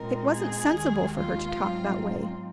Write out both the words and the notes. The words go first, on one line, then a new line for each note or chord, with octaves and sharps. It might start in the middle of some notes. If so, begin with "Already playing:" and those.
It wasn't sensible for her to talk that way.
Already playing: A#2 G#3 C4 D#4 A#4
G#4
D#2 D#3 G#3
F4
G#2 F#3 C4 D#4